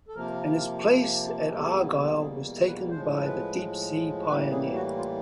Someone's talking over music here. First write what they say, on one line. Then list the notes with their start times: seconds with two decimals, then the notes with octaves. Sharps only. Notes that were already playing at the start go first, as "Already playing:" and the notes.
And its place at Argyll was taken by the "Deepsea Pioneer".
0.08 A4
0.15 C3 F3 A#3 A#4
1.52 E2 B2 G3 A#3 A4
2.21 G#4
2.67 B4
2.90 A2 F3 G#3 C5
3.25 B4
4.29 A2 E3 G3 A#3 B4
4.51 G#4
4.75 F#4
4.97 F4